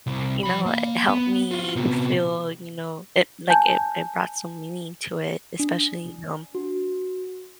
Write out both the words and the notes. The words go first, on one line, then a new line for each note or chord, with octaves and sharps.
you know, it helped me feel you know, it like, it it brought some meaning to it, especially, you know
C2
F3 B5
A#3
B3
F4 F#4
C3 B3
G#5 A5 G6
D4
F#4